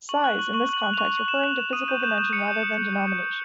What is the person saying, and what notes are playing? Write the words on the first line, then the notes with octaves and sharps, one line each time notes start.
"Size" in this context referring to physical dimension rather than denomination.
C#6 F#7
F#6 F#7
C#6 F#7
C#6 F#7
F#6 F#7
F#6
F7
C#6
C#6
C#6 E7
F#6 E7
F#6 E7
D#6 D#7
G6 D#7
G6 E7
G6 E7
D#6 C#7
G6
D#6
G6
G6
G6
G6